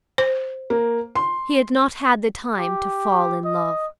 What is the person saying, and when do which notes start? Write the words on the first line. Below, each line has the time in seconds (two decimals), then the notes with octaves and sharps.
He had not had the time to fall in love.
0.18 C5
0.70 A#3
1.15 C6
2.59 G4
3.45 D#5